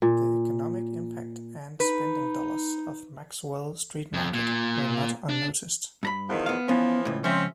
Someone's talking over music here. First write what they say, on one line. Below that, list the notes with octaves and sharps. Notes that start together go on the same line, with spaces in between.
The economic impact and spending dollars of Maxwell Street Market were not unnoticed.
A#2
D#4 B4
F2
A#2
D4
G2 A#5 B5
E2 D#3 F3
B3 F5
E3 F3 B3 C#4
C#2 A2
C#2 F3 C4 C#4 C5 E5